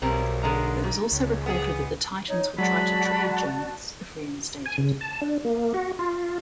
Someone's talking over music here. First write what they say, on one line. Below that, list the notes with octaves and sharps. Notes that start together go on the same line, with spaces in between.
It was also reported that the Titans would try to trade Jones, if reinstated.
B1 G3 C4 A#4
D3 G#3 A#4
D#3
C#2
B3 G#4
D#4 C#5
F#3 G#3 F#4 D5 A5 B5
G#5
C#3
A5
D4
A#3
F#4
F4